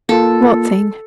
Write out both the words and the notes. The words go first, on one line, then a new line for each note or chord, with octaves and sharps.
"What thing?"
A#3 F4 A4